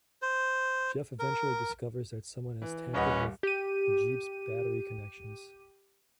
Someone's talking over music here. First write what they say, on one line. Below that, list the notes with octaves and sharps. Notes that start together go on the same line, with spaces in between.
Jeff eventually discovers that someone has tampered with the Jeep's battery connections.
C5
A#4
E3
D#1 C#4 B4 D#5 F#5
G4 D#7